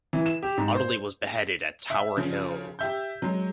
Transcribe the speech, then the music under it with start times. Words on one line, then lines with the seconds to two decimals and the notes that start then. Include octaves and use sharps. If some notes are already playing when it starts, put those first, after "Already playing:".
Audley was beheaded at Tower Hill.
0.13 E3
0.26 E7
0.43 G4
0.57 G#2
0.75 C5
1.90 E5
2.17 C#3 F3
2.79 G4 E5 G6
3.22 F#3 G#3